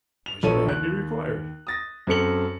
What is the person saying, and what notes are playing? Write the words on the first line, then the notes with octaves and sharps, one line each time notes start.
Why should a head be required?
F7
A#1 F3 A4 C#5 D#7
D#2 F#6
D#6 A6 A#6
F#2 C4 A4 C#7 F#7